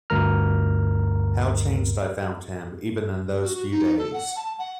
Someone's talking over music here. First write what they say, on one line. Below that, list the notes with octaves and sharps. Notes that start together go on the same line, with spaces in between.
How changed I found him, even in those few days!
D2 G2 A#4 A#5 F6
F#4
F#4
D#4
A4
F#5
A5
F#5